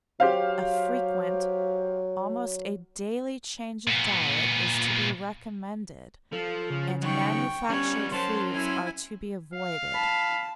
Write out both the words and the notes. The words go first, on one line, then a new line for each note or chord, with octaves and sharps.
A frequent--almost a daily--change of diet is to be recommended, and manufactured foods are to be avoided.
F#3 G4 C5 F5
A#2 B3
F3 A4
C#3
D#3 F#3 G5 C#6
G3 B3 C#4 C#5
F#3 C#4 C5 A5 C6
E4 G#5
F5
A5 B5